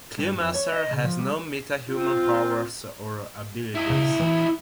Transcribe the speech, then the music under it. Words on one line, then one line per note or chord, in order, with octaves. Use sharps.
Cluemaster has no metahuman powers or abilities.
G2
F2
C#5
D#5
C#3
F3
G3
C4 F4
E4 D#5
C#3
E3